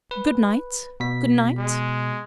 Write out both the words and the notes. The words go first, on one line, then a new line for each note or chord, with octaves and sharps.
Good-night. Good-night.
B4
B2 B6
G#3